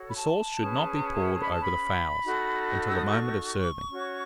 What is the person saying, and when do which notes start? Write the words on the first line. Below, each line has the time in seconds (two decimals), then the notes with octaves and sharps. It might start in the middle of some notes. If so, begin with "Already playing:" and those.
The sauce should not be poured over the fowls until the moment of serving.
Already playing: F#4 A4 C#5
0.09 B5
0.17 A5
0.58 C#4 G#4 B4
1.41 B5
1.51 A5
1.61 B5
2.24 D#4 F#4 A4
2.88 E6
2.97 D#6
3.07 C#6
3.89 C#4 F#4 C#5